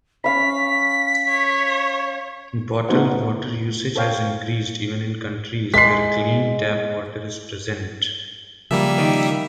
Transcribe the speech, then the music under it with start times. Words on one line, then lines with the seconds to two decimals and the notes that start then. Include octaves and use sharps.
Bottled water usage has increased even in countries where clean tap water is present.
0.24 C#4 F5 B5 B6
1.29 C#5
2.89 A3 B3 D#4 F#4 C5 F#5
3.96 A4 C5 C#5 F5 G5
5.74 G#3 B6 C7
8.71 C#3 F3 G3 A#3 E5
8.98 D#3